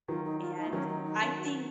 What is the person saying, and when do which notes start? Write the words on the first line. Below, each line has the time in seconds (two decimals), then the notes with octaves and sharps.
and I think
0.08 D#3 F#3 F4
0.25 D#4
0.41 F4
0.57 D#4
0.66 A3
0.72 D#3 F#3 C#4
0.89 D#4
1.05 D#4
1.21 C#4
1.37 F#4